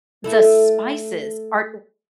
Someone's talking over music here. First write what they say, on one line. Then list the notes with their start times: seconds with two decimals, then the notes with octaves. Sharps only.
the spices are,
0.24 A3 E4 A4